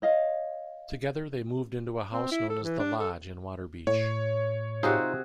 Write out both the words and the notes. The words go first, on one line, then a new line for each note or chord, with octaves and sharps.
Together they moved into a house known as The Lodge in Waterbeach.
C#5 D#5 F5
C4
E4
A4
E3
D4
A4
A2 C#5
C3 D#4 F4 F#4 G#4 C5